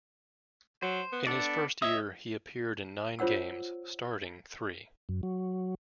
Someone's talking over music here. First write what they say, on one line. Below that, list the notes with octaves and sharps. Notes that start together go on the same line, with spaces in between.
In his first year, he appeared in nine games, starting three.
F#3 C5
B3
B3 D4 A4 D5
C#5 D#5 E5 D#6
F4 C5 C#5 F#5 E6
F#2
F#3